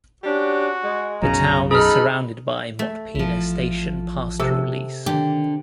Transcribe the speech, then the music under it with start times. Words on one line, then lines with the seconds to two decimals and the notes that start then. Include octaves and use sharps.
The town is surrounded by Motpena station pastoral lease.
0.24 C#4 D4 F#4 G4
0.83 G#3
1.22 B1 F#2 C#3 A#5
1.71 D#4 G#4 A4 B5 F6
2.79 A3
3.15 A1 F3 E4
4.40 C3 A4
5.06 D3 D#3 G4